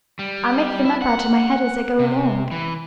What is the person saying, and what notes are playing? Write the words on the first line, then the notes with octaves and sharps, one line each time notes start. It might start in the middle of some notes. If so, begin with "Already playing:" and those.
"I make them up out of my head as I go along."
G3
E4
F#5
C3
E3